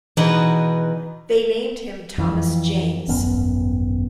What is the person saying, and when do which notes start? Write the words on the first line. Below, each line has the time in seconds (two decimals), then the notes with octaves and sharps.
They named him Thomas James.
0.17 E2 B2 D#4 B4 F#5
2.18 F2 E3
3.08 D#1 G#1 F#2 B3